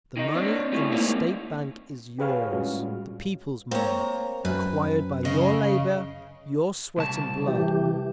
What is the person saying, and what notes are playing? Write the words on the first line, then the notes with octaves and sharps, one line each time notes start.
The money in the State Bank is yours, the people's money, acquired by your labour, your sweat and blood.
D#3 D#4
C4 D4
A2 G3 A3
G#2 D#3 A#3 C4
G4 G#4 B4 C#5 F5 F6
A2 G3 G#3 C#4 F4 F#4
A#3 C4 C#5 A#5
F#2 B4
C#3 D#5
C2 A5
E3 G4